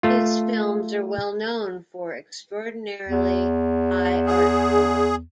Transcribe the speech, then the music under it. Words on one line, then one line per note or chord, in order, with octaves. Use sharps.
His films are well known for extraordinarily high art quality.
A3 F4
E2
G#4